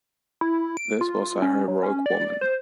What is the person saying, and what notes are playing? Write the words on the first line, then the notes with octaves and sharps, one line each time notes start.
This was a heroic woman.
E4
D7
F4
C#4
F#3
C#4
D5
C5